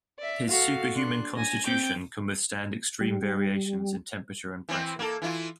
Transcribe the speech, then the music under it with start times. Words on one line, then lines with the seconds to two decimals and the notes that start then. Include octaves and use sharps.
His superhuman constitution can withstand extreme variations in temperature and pressure.
0.18 D5 E5
0.49 F#4 A4 F5 F#5
0.95 D4 C6 F#6
1.35 G#5 A#6
1.66 C4 G5 D6 G6
3.01 G3
4.69 E3 C4
4.99 A#3 A4
5.22 E3 E4 F4